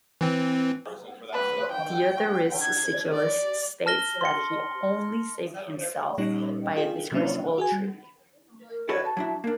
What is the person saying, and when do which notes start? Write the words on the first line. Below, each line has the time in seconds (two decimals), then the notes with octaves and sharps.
Diodorus Siculus states that he only saved himself by a disgraceful treaty.
0.21 E3 C4
1.33 B4
1.72 G5
2.61 G#6
3.12 D5
3.86 A5 F6 A#6 G7
4.21 C6 C#7
6.18 A#2 G3 C#4 D#4 G4
6.76 F4 G#4 G5
7.12 C3 F#3 A#3 C#4 D4 E4
7.58 F#4 G#4 G#5
7.72 G3
8.69 A#4
8.89 F#4 A4 B4 C#5
9.04 A5
9.17 F#3 D4 E4
9.44 A#3 D4 A#4